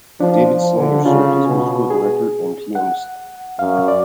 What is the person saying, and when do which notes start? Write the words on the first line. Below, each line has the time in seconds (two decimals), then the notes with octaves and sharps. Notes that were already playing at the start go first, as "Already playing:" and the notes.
David Snyder served as musical director and pianist.
0.20 F3 D4
0.48 F3
0.77 D3
1.05 C#3 F4
1.47 B2
1.90 G#4
2.75 F#5
3.59 F#2 F5
3.88 D5